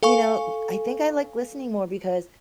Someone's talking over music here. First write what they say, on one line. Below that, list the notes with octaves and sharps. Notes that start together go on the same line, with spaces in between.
you know, I think I like listening more because
A4 F5 G#5 C#6